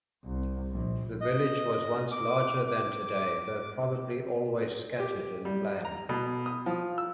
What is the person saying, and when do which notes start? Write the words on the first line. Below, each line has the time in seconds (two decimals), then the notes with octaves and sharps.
The village was once larger than today, though probably always scattered in plan.
0.25 C2
0.72 A#1
1.20 D#5
2.12 D6
2.68 D6
5.00 G4
5.45 G3
5.85 A#5
6.09 B2
6.46 D#6
6.66 F3
6.98 E6